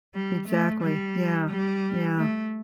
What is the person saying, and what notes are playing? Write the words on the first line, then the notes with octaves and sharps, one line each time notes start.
Exactly. Yeah. Yeah.
G3
A3
G3
G3
A3